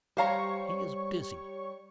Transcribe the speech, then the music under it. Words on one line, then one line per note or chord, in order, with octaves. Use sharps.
"He is busy."
G3 C5 C#5 F5 A#5 C#6